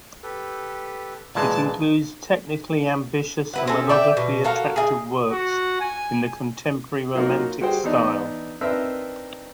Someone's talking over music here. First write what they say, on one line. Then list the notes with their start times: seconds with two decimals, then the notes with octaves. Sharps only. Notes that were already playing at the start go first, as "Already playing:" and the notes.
It includes technically ambitious and melodically attractive works in the contemporary Romantic style.
0.23 G4 A4 B4
1.35 A#2 E3 G#3 A5
3.53 E4 B4 F#5
3.67 C4 C#4 A4
3.89 D5 E5 G5
4.17 B2
4.44 F#4 A4 A#4 F5
4.76 D#4 F4 G#4
5.31 F#4
5.80 G#5
7.15 F#3 A#3 D#4 F4 F#4 A#4
7.61 G3 F#4 G#4 C5 G5
7.84 E3 B3 D4 D#4
8.61 C4 D4 D#4 A#4 B4 E5